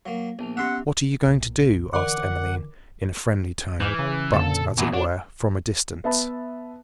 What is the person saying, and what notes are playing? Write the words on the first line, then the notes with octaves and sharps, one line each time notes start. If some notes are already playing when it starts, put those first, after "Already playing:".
'What are you going to do?' asked Emmeline, in a friendly tone, but, as it were, from a distance.
F#3 A#3 F5
A#1 B3 A5 F7
B3 C#4 G4 E5 F#5 C6 C#6
B1 A#2
D3 E3 A#4 D5 F#5 D6
G#2 E3 D6 F6 G6
C#3
F2 A#2 D3 A4 A5
E2 A#2
D4 F#4 C#5
B3 E5 A5 B5